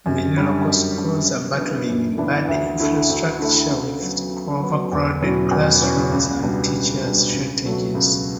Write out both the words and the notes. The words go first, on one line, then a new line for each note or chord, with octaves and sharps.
Many local schools are battling in bad infrastructure with overcrowded classrooms and teachers shortages.
F#2
D3 G3 C#4
F#2
D3 G3 C#4
F#2
E3 B3 D4
F#2
E3 B3 D4
D2
D3 A3 E4
D2
D3 A3 E4
C#3
F#3 B3
C#3
F#3 B3
E2
B2 F#3 C#4 E4
E2
B2 F#3 C#4 E4
C#2
B2 G3 D4
C#2
B2 G3 D4
C#2
B2 F#3 A3
C#2